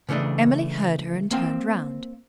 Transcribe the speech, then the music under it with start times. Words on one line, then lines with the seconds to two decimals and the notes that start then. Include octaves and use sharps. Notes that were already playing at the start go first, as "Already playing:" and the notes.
Emily heard her and turned round.
0.09 C#3 E3 A3 D4 D#5
1.31 A#3 C4 G5